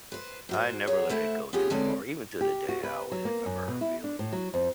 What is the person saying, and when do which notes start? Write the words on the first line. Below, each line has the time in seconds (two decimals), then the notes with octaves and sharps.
I never let it go too far, even to the day, I always remember her feelings,
0.12 B4 C5
0.49 G#2 F#4 C5
0.87 F#3 G#4 C#5 F#5
1.09 A3 E4 C5 E5 F#5
1.53 B3 C#4 F4 G4 G#4
1.70 D3 G#3 C4 C#4 D#4 D5
2.41 G4
2.69 F#4
2.83 B4
3.12 F#3
3.25 A#3
3.46 F#2
3.68 B2
3.81 E4
4.04 D4
4.19 A2
4.32 F#3
4.54 F2